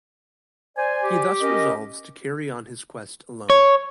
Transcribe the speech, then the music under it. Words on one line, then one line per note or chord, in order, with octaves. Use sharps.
He thus resolves to carry on his quest alone.
C5 D5 G#5
G4
C#4 A#4 D#5
C#5